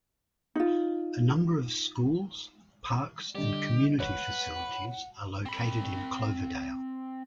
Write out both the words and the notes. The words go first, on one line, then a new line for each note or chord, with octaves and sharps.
A number of schools, parks and community facilities are located in Cloverdale.
D#4 F4
D3 G3 G4 D#5
B4 C#5 F#5
C4 B5